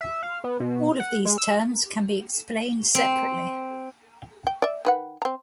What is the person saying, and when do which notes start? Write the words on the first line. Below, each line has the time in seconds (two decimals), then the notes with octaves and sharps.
All of these terms can be explained separately.
0.01 E5
0.23 F5
0.44 B3
0.60 B2
1.00 F#5
1.25 G#3
1.38 E6
2.95 C4
4.47 G5
4.62 D5 E5
4.85 D#3 B4 F#5
5.22 C4 A#5